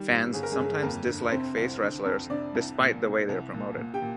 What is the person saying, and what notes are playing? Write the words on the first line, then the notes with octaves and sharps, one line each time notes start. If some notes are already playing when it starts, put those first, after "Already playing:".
Fans sometimes dislike face wrestlers despite the way they are promoted.
Already playing: D#3 G3 G4
G#1
G1 G#4
A#4
G#3 G#4
G1
F2 A#3 A#4
D3
C3 C4 C5
C2
D3
F2
C3 D4 D5
C2
A#2
C2
C2
A#2
A#2
G4 G5
A#2